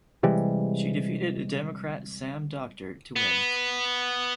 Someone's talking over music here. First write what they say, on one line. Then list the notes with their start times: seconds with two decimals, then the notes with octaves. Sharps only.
She defeated Democrat Sam Doctor to win.
0.23 C3 E3 G3 G#3
3.16 B3